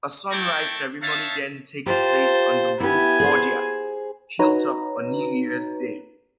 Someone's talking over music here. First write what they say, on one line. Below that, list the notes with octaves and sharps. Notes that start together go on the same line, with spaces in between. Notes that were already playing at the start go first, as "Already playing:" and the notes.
A Sunrise Ceremony then takes place on the Woodfordia hilltop on New Year's Day.
A3 C4 E4 G5 A5 C#6
D#4 C#5 E5 F5 A5
F4 G4 C5 A5
B3 E4 G4 G#5
G#4 C5
D#4 F#4 B4 C#5 A#5